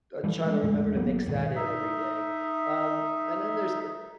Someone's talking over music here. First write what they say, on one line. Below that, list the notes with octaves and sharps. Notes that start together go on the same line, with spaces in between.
I try to remember to mix that in every day. Um, and then there's the
E3 F3 G3
F3 G#3 C#4 D4
E2 A2 G#3
G#1 F#3 A#3 B3
D#1 G#2 B2 D#3
D#4 E5